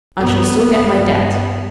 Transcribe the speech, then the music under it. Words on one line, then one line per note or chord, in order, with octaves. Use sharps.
I shall still get my debt.'
G2 B3